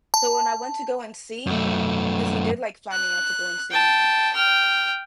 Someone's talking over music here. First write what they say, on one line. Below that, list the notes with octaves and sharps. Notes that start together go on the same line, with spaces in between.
So when I went to go and see him, 'cause he did, like, fly me out to go and see him.
A5
F#2 A3
F#6
G5 A5
G5 F6